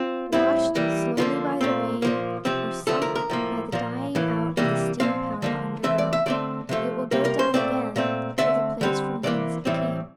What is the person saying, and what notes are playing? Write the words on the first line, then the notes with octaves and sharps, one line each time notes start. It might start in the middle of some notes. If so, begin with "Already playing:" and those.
Washed slowly by the rain, or sunk by the dying out of the steam- power underground, it will go down again to the place from whence it came.
Already playing: C4 F4
A2 G3 C4 E4
E3 G3 A#3
D3 F3 A#3 F4
A#2 A3 C4
A#2 F3 A#3
C3 F3 C4
D3 F3 A3 A4
A#4
A#4
A2 F3 A#3
A#2 F3 A#3
A2 E3 A#3
C3 E3 G3 A#3
A#2 F3 C4 F5
D3 F3 A#3
E3 A3 C4 E5
D5
E5
D3 A3 C4 D5
C3 F3 A3
C3 G3 A#3 A#4
A#4
C5
A#2 A3 C4 D5
A#2 A3 C4
D3 A3 C4 E5
D3 G3 C4
C3 E3 A#3 D5
A2 E3 G3 C4